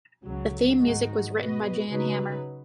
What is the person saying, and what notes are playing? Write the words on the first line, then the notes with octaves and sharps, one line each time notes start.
The theme music was written by Jan Hammer.
C#2 C#3 F#3
G#2 D#3 G#3 D#4 F#4
B2 B3 F#4 B4 D#5
C#3 F#3 D#4 B4